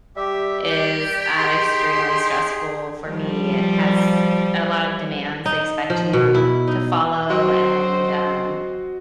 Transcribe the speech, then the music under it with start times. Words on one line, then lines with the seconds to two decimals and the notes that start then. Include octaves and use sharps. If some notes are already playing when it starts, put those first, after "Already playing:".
is, um, extremely stressful for me, it has a lot of demands they expect you to follow, and, um,
0.16 G3 G4 E5
0.69 G4 D5
1.37 D#4 G#4 C6
3.06 F3 G3
5.46 D#4
5.90 F3
6.13 B2
6.34 E4
6.68 D#4
7.30 F#3 C4 F#4 C5 D#5